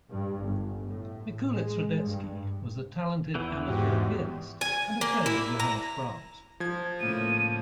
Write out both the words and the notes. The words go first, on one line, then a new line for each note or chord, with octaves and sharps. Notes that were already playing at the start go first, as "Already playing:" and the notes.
Mikulicz-Radecki was a talented amateur pianist and a friend of Johannes Brahms.
G2
G1
A2
G#3
G2
E2 E3
G#2 F#4 G4
G#5
A#3
E4
A#5
F3 G#6
A2 C#3 A#3 D#7